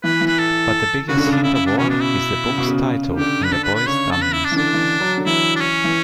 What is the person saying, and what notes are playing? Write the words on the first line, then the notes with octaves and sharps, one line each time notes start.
But the biggest hint of all is the book's title and the boy's dumbness.
E3 B4
E3
B4
A4
C#3 F#4
D3
C#3
D4
E4
E4
D4
B2 C#4
D4
E4
C#3
B2
C#3
D3 G4
B4
A4
B4
B4
C#3 C#5
A4
B4
E4
D4
E3
D3 D4
E3
F#3
D3
E3 E4
D4
C#4
E3